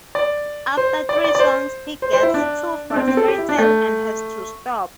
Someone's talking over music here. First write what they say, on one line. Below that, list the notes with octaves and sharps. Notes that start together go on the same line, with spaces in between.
After three songs he gets too frustrated and has to stop.
D5
C5
D5
D5
D5
C5
C5
C5
E4
D4
D4
C4
C4
A4
G4
E4
D4
A3